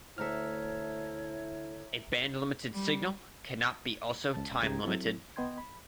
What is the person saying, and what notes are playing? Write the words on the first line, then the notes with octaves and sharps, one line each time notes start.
A bandlimited signal cannot be also timelimited.
D2 E4 A4 C#5 E5 A#5 F6
G3
C#2 C#3 A5
C#2 C#3 G4 G5 A#5 G#6
F#3 C4 E4 A4
C2 B3 D#5 G5 C6 G#6
B5